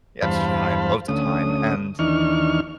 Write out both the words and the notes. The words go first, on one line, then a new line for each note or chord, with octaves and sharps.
yeah, I had loads of time. And
E2 G2 C5 F5 A5 B5
D2 A3 C#4 D#6
D#2 E3 D4 D#4 C#6 F6